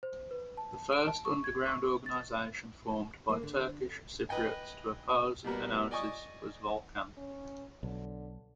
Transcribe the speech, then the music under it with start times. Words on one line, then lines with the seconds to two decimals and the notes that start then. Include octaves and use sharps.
The first underground organization formed by Turkish Cypriots to oppose enosis was Volkan.
0.03 C5
0.31 B4
0.57 A5
0.93 D7
1.07 A5
1.25 C#6
1.44 G#6
1.67 C#6
2.06 A6
3.29 A#3
3.43 D3
4.29 B4 D#5 G5 G#5
5.44 B2 G3 A#3 B3
5.91 D5 D#5 G#5 C#6 D#6
7.17 C#4
7.83 B1 D3